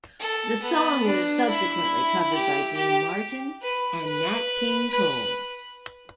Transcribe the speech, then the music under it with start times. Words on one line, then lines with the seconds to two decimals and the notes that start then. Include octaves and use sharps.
The song was subsequently covered by Dean Martin and Nat King Cole.
0.20 A4
0.63 B3
1.06 D4
1.48 E4
2.34 G4
2.77 G4
3.62 B4
4.05 B4
4.90 B4